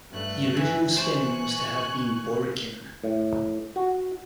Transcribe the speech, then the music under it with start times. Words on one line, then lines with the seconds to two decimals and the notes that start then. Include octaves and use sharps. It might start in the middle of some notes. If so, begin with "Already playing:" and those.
The original spelling was to have been Borrikin.
0.11 G2 A3 F#6
0.57 E3
0.96 C5 G#5 A5 C#6 F#6
3.04 A2
3.76 F#4